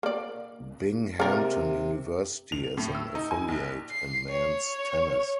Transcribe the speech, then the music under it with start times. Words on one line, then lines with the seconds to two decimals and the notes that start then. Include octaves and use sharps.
Binghamton University is an affiliate in men's tennis.
0.03 A#3 D5
1.20 C3 A#3 A#4 D5
2.52 F7
2.77 A2
2.95 E6
3.15 D#4
3.31 G#5
3.48 A#1
3.91 C7
4.29 C#5